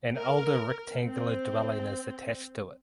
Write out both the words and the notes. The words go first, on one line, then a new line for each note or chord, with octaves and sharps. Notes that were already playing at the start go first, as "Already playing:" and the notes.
An older rectangular dwelling is attached to it.
A#4
C4